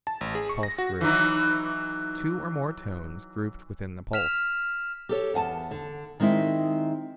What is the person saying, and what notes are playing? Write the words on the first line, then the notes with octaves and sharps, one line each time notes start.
Pulse-Group: Two or more tones grouped within the pulse.
A5
A1
G#4
C#6
A#6
F#4
E3 F#3 D#4
F6 B6 E7 F7
G4 A4 C#5
E2 F#5 G#5 A5
D3
D#3 G#3 C4 D#4 E4